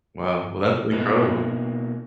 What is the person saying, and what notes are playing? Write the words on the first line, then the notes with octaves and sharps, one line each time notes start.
Wow. Well, that's incredible.
B2 A#3 D#4 B4